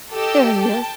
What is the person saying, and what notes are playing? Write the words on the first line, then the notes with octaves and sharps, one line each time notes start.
There really is,
G4 A4 D#5 E6
G5 A5